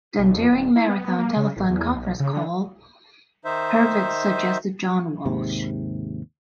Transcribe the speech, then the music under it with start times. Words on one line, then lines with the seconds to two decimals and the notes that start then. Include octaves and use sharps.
Then, during a marathon telephone conference call, Herwitz suggested John Walsh.
0.18 B1
0.36 F2
0.52 D#1
0.76 E4
0.89 B3
1.18 A#3
1.36 C#3
1.56 A1
1.70 E2
1.95 B1
2.20 C#3
2.33 D3
3.45 D#3 D#4 C5 E5
5.26 D#2 G#2 C3